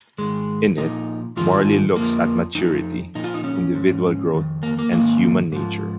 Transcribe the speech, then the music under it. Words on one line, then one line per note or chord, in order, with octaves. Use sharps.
In it, Morley looks at maturity, individual growth, and human nature.
G#2 D#3 G#3
A#2 F3 D#4
G#2 D#3 F4
F2 F3 A#3
F2 F3 D#4
A#2 F3 D#4
F4
D#4
C#4
G#2 F3
F2 D#3
A#3
A#3
G#2 D#3 A#3
G#2 F3